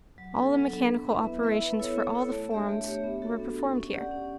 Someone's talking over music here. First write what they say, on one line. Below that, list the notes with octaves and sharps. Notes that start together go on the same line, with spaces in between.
All the mechanical operations for all the farms were performed here.
F#3
B3 D4 A4
F#3
B3 D4 A4
B3
E4 B4 E5
B3
E4 B4 E5
B3
E4 A4 C#5
B3
E4 A4 C#5
A3
D4 G4 C#5 E5
A3
D4 G4 C#5 E5
B3
D4 F#4 A4
B3
D4 F#4 A4
C#4
G4 D5 F#5
C#4